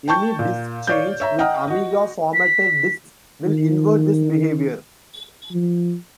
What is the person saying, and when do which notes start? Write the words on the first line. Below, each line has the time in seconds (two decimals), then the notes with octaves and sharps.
Any disk change with Amiga formatted disks will invert this behaviour.
0.08 G5 A5 C#6 G6
0.39 A#2
0.87 C#5 D5 F5 G6
1.20 C#5 E5 A#5
1.38 D#5 F#5 G5 A#5 D#6 F6
1.68 F#4 D#5
2.33 B6
3.44 D#3
5.52 F3